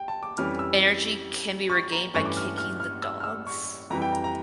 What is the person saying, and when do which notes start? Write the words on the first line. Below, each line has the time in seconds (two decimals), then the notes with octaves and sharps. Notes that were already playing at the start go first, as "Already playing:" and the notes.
Energy can be regained by kicking the dogs.
Already playing: G5
0.08 A5
0.23 D6
0.38 F2 E3 G3 C#4 F6
0.59 E6
1.70 C#6
1.92 A#5
2.14 G2 E3 A3 C#4 C#6
2.25 D6
2.37 F6
2.58 F6
2.80 F6
3.02 E6
3.20 F6
3.24 E6
3.47 C#6
3.90 F2 E3 G3 A#5
4.02 G5
4.12 A#5
4.24 A#5